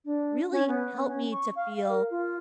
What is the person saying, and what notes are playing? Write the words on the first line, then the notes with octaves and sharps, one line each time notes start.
really helped me to feel
D4
C#4
B3
C#4
C#6
F5
F5
A#4
F4